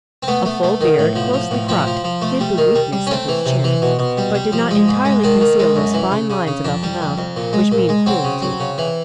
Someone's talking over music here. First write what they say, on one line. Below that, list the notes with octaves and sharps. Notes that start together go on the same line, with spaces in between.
A full beard, closely cropped, hid the weakness of his chin, but did not entirely conceal those fine lines about the mouth which mean cruelty.
C4
A3 B3
A3
A3
D#3
A2
F3
F3
A2
F3 C4
F3
F3
A3
G3
D#3
G3
G3
C#4
A3 C4
E3
C3
E3
B2
B2
G3
G3
F3
G#3
G#2
G#3
D#3 D4
D#3
G#3
F#2
E3
C#3
C#3
C#3
F2 D4
G3
F2
F2
A#2
G#3
A#2
G#3
F#3 C4
C#3
F#3
C#3
E3